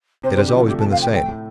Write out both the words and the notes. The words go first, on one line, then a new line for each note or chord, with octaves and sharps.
It has always been the same.
C3 C5
C5
D3
G4
F3 F4
A3 G4
A5
C4 F5
G5
A3 G5
A2